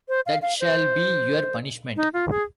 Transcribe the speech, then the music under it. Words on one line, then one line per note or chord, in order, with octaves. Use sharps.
That shall be your punishment.
C5
F5
F5
C5
D#4
F4
G#4